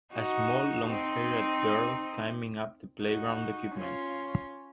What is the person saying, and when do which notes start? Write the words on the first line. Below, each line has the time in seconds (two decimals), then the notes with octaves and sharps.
A small longhaired girl climbing up the playground equipment.
0.14 D#4 F#4
0.86 C4 D#4
3.02 D#4 F#4
3.75 C#4 F4